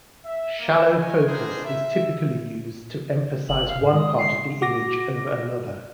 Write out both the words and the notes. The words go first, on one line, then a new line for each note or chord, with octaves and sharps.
Shallow focus is typically used to emphasize one part of the image over another.
E5
A#3 A#4
G#3 C#5 D#5 G#5
B3 D4 D#4 G#4 A#4 C5
E5
G1 F#7
F5
A2
G#3 D#6
C7
F#4 D6 A#6